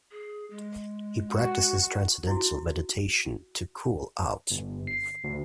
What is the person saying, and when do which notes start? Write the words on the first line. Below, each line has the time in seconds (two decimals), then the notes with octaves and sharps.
He practices Transcendental Meditation, to "cool out".
0.11 G#4
0.50 G#3
1.31 F#4
2.27 E4 F#4
4.51 G1
4.87 C7
5.24 D2